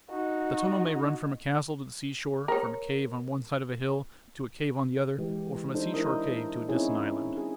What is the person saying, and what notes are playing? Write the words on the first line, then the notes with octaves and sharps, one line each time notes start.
The tunnel may run from a castle to the seashore, from a cave on one side of a hill to a cave on the other, or from a seashore cave to a distant island.
D#4 F#4
A#4 C#5
E3 G#3 G4
D4 D#4 A4 C5
D4 E4 A#4 C5 D#5
C4 C#4 D#4 E4 G#4 C#5
D4 G#4